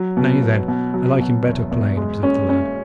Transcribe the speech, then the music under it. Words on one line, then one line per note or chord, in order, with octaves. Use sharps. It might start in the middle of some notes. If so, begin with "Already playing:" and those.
"Nay, then, I like him better plain," observed the lad.
Already playing: F#3
B2
B2
B2
F#3
B2
E2
E2
G#3
C#4
C#4